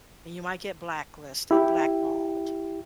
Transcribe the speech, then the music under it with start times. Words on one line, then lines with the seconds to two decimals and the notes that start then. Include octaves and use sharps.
And you might get blacklisted, blackballed.
1.51 E4 G4